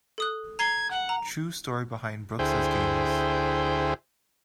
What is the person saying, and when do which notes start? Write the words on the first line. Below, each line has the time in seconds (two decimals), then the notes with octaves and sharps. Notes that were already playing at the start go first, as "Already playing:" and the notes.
True Story Behind Brooks as Gaines.
0.18 A4 D#6 F#6
0.59 A#5 G#6 C7 G7
0.91 F#5
1.09 A#5
2.39 D2 E4 G#4 C5 G5